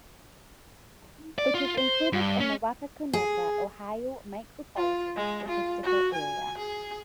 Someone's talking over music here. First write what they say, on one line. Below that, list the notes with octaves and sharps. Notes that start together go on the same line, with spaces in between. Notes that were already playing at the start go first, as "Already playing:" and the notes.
It is included in the Wapakoneta, Ohio Micropolitan Statistical Area.
D5
F4
C5
G2
C#4
G#4
F4
G#3
F4
F#4
G#5
G#4